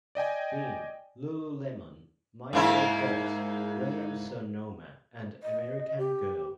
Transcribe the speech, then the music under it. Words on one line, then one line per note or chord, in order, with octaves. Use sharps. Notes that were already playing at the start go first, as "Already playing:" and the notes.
Bean, lululemon, Michael Kors, Williams-Sonoma, and American Girl.
D5 D#5 G5 G#5
G#2 A#3 E4
D#5
G4